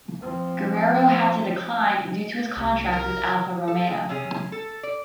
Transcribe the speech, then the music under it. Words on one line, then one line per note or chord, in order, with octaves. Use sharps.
Guerrero had to decline due to his contract with Alfa Romeo.
F3 C4
C2
A#4
A4
G#3
C3 C#4 G#4
A4
D5